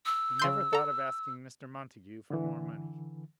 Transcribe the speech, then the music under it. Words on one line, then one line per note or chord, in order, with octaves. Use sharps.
He never thought of asking Mr. Montague for more money.
E6
C#3 C6 G6
A4 A#5
D3 E3